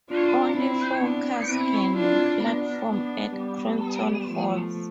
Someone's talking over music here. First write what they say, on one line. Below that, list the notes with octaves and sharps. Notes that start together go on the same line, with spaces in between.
Only four cars can platform at Croton Falls.
D4 F4
C4 E4
B3 D4
C4 E4
D4 F4
B3 D4
B3 D4
G3 B3
F3 A3